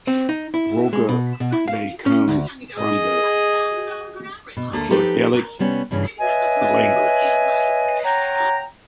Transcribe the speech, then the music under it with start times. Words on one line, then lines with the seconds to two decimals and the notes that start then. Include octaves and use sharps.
"Roca" may come from the Goidelic language.
0.07 C4
0.29 D#4
0.54 E4
0.93 G#3
1.09 B2
1.40 B2
1.52 E4
1.68 F5
2.06 C#4
2.28 D2
2.73 G#4 D#5
4.57 B2
4.72 D2 A3 A#3 A4
4.90 F3 D#4 G4 A4 B4
5.34 A#4
5.59 C3 G3 B3 C#4
5.91 G2 C#3 E3 C#4
6.20 B4 C#5 D#5 E5 G#5
8.04 C#5 F#5 G5 A#5